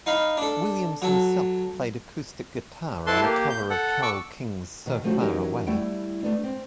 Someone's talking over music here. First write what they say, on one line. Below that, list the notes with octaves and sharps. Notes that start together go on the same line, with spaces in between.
Williams himself played acoustic guitar on a cover of Carole King's "So Far Away".
D#4 F5 B5
D4 A4
F#3 A4
E4 A4 B4 A5 C6
A#3 G4
G6
A4 F#5
C#6 D6 E6
B2 D#3
F3 A3 C4 C#4 F#4
E3 F#3 C#4 D#4 G4 A#4
G3 A3 E4 F#5 G5
A3 B3 D4
C4